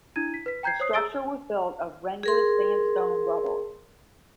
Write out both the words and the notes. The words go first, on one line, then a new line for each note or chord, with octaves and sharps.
The structure was built of rendered sandstone rubble.
D4 E4 G#6 D#7
B6
B4 B6
G5 A#5 G6 G#6 C7
C5 C#5 D#6 C7
G#4 A#5 E6 A6 D7 G7
G#4 A#4 C6